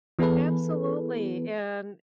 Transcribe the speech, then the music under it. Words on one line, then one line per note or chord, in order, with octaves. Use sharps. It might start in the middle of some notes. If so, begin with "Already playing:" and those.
Absolutely, and
E3 B3 E4 G#4 A4 B4